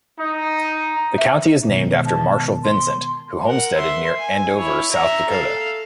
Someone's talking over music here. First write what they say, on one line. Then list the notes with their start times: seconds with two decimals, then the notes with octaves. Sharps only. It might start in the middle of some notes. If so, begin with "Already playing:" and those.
The county is named after Marshall Vincent, who homesteaded near Andover, South Dakota.
0.19 D#4
1.18 E5
1.69 B2 D#3 G#3
2.05 A5
2.64 C6
3.46 A#4 F#5
3.77 E5 C6
4.19 G#5
4.58 E4 C#5
4.92 E5 A#5
5.29 A4 F5